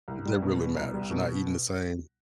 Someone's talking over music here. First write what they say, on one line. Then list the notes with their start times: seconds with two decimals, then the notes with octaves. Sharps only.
That really matters, you're not eating the same.
0.08 C2
0.25 G3
0.42 B2
0.59 B3
0.76 C2
0.94 G3
1.11 B2